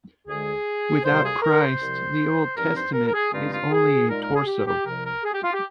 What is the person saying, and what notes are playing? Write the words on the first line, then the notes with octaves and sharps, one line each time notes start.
Without Christ the Old Testament is only a torso.
D2 D3 G#3 G#4
D2 C3 G3 A#3 C5
G#4
A#4
C5
C2 C3 F3
G2 F3 C4 D#4 A#4
C5
A#4
A#4
G#4
G2 D3 G#3 C4 D#4 F4
F4
G#4
A#2 G#3 D#4 A#4
A#4
G#4
G4
G4
C2 C3 F3 A#4
A#4
G#4
G4
F4
G4